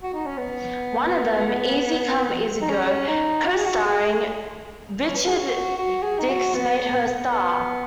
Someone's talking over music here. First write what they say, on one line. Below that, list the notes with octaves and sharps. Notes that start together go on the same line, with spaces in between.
One of them, "Easy Come, Easy Go", co-starring Richard Dix, made her a star.
F#4
D#4
C#4
B3
D#4
C#4
D#4
F#4
G#4
F#4
G#4
C#4
B4
G#4
F#4
F#4
G#4
D#4
F#4
B3
B3